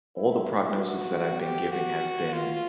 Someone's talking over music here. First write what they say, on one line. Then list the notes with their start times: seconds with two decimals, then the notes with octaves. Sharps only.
all the prognosis that I've been giving has been
0.17 E4
0.78 F#4
1.41 G4
1.71 F#4
2.33 F4